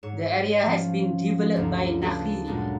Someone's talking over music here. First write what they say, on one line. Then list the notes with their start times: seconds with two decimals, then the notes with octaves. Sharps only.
The area has been developed by Nakheel.
0.03 G#2 C#5 E7
0.66 F3 C4 C#4
1.56 D2 G2 C#3 A#3
2.02 F4 G#4 A4 B4 D5
2.45 F#2 A#2 G#3 A#3 D4